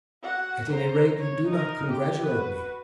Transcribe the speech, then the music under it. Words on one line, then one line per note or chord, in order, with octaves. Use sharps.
"At any rate you do not congratulate me."
F#4 F#5
C5 A#5
C#5
D#4 A#4
G4
F#4 B4